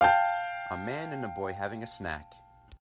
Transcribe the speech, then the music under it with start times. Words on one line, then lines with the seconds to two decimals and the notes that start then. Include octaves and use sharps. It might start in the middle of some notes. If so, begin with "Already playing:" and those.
A man and a boy having a snack.
0.01 F5 G5 A5 G6